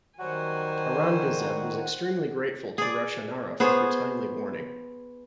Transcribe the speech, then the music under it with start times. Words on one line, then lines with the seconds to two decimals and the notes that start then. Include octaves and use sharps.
Aurangazeb was extremely grateful to Roshanara for her timely warning.
0.19 D#3 F#3 G3 F#4 C5 F#5 G#5
2.78 G#4 D5
3.60 B3 G#4 C5 C#5